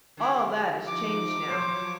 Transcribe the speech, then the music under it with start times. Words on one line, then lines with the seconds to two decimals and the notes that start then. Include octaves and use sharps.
All that is changed now.
0.17 D3 G3 E4
0.87 F3 D#4 D6
1.49 F3 F#3 C5 C#5